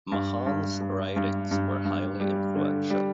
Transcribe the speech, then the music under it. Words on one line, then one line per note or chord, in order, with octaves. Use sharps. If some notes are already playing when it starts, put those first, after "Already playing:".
Mahan's writings were highly influential.
G2
G2
G2
G2
G2
G2
G3
D3
G3